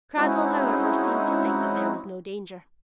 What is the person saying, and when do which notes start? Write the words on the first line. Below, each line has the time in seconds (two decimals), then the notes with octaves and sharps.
Cradell, however, seemed to think that there was no danger.
0.17 G#3 C4 C#4 D#4 E4 F#4